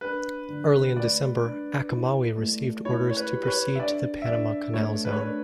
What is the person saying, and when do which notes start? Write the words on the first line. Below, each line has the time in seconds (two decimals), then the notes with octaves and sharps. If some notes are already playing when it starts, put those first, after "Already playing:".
Early in December, "Achomawi" received orders to proceed to the Panama Canal Zone.
0.01 D4 B4
0.49 D3
0.96 A3 D5
1.43 D4
1.91 E4
2.38 A3
2.85 E4 C#5
3.11 C#5
3.17 B4
3.32 G4
3.43 B4
3.48 C#5
3.76 E5
3.79 D4 D5
4.22 E5
4.26 D4 D5
4.74 A3 C#5
5.05 B4
5.12 C#5
5.19 D4 B4